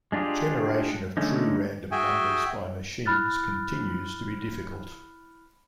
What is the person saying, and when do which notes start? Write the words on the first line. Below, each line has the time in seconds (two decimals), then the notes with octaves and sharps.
Generation of true random numbers by machines continues to be difficult.
0.12 G#3 D4 F4 G4 G#4
1.17 D3 G#3 A3 C#4 D#4
1.91 F#4 G#4 E5 G5 G#5
3.06 E4 B5 F6 F#6 A6